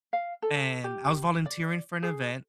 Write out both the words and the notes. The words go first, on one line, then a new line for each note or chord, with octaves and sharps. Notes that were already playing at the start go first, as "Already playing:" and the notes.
and I was volunteering for an event,
F5
A4
G4
D5
G#4